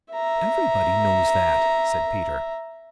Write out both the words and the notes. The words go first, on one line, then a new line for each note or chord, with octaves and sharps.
"Everybody knows that!" said Peter.
E5 A#5